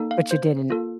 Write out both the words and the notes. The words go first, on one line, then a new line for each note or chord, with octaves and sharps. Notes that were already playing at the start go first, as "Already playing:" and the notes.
But you didn't.
Already playing: A#3 D#4 A4
F5
C5
A#3 F4 A4